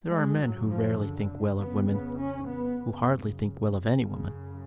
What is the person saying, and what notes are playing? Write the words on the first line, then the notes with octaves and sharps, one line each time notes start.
There are men who rarely think well of women,--who hardly think well of any woman.
G#3
F#2 C#3 F#3
F3
D3
F2 C#3 B3
B3
C#4
B3
F#2 C#3
F#2 C#3